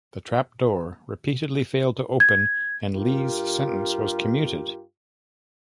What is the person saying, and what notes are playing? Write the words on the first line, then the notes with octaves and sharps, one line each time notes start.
The trap door repeatedly failed to open and Lee's sentence was commuted.
G#6
G2 F4 G4 A#4